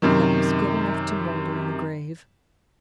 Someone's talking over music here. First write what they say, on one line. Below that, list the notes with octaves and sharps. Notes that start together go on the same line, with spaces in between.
That was good enough to moulder in the grave.
F#2 C3 D#3